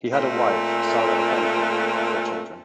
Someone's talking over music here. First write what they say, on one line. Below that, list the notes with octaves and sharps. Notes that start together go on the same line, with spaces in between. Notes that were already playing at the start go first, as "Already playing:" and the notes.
He had a wife, Sara Aponte, and four children.
A#2 A3 C4